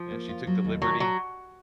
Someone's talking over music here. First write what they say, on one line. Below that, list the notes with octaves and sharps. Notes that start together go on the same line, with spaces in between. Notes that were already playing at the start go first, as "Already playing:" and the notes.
Yeah, she took the liberty.
Already playing: F3
A#3
F4
F#3
D#2
D#3 F#3
F#3